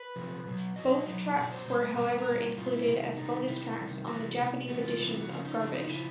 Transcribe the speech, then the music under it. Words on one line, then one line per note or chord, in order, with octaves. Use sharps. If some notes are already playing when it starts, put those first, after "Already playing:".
Both tracks were however included as bonus tracks on the Japanese edition of "Garbage".
Already playing: B4
C3 F3
B2 F#3
B2 F#3 D#5
B2 F#3
B2 F#3 D5
C5
B2 G3 C5
B4
B2 G3 A#4
B4
A#4
B2 G3
B2 G3 F4
E4
C3 D#3 G3
C3 D#3 G3 D#4
C3 D#3 G3 E4
C3 D#3 G3
C3 E3 G3 F#4
C3 E3 G3 G4
C3 E3 G3 F#4
F4
C3 E3 G3
F#4
C#3 F3 F4
D#4
C#3 F3 D4
D#4
C#3 F3 E4